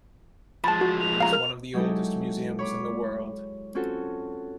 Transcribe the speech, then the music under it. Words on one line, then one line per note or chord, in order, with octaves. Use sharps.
It is one of oldest museums in the world.
F3 G#3 A5 B5 A6
F#4
F7
F5 A#5
A#4 F6
F#3 G#3 D#4 E4 G4 A4
C#5 B5 D6
C4 C#4 F4 F#4 A4